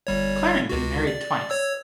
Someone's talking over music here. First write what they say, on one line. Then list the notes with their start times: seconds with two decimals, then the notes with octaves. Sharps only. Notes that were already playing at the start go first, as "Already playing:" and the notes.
Clarendon married twice.
0.07 G1 G3 C#5
0.69 C#2 F#4
1.07 D5
1.50 C#5 E6